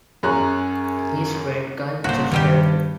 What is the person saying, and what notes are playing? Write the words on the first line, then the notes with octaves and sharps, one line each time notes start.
He's a great guy, just terrific.
F#2 G#4 C#5 A#5 F#6
G1 A#2 F#4 C5
G2 B2 D#3 G3 G4 G7